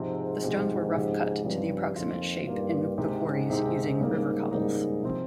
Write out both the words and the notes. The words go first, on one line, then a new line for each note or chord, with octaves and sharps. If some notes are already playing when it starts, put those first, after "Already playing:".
The stones were rough-cut to the approximate shape in the quarries using river cobbles.
Already playing: G#2 C3 F3 G#3 C4 G4
C3 F3 G#3 C4 G4
C#3 F3 C4 D#4 G4
G2 C#3 F3 C4 D#4 G4
F2 D#3 A#3 F4
G2 D#3 A#3 F4
G#2 C3 D#3 G#3 D#4 G4
C3 D#3 G#3 D#4 G4
C#3 G3 A#3 D#4
G#2 C#3 G3 A#3 D#4
C3 F3 C4